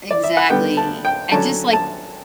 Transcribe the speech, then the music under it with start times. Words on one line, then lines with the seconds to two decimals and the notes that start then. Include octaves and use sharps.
Exactly, and just, like
0.11 D5
0.24 E5
0.37 F#5
0.50 D3 G3 B3 G5
0.77 A5
1.05 G5
1.31 D3 F#3 C#4 A5
1.73 A5